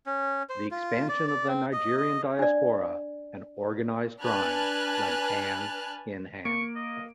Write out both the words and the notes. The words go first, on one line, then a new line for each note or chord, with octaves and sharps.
The expansion of the Nigerian diaspora and organized crime went hand in hand.
C#4
C5
F4
D5
D5
C4
D#5
D#5
D4 D5
D4 B4 G#5 A5 F6 F#6
A#3 C#6 D7
D#5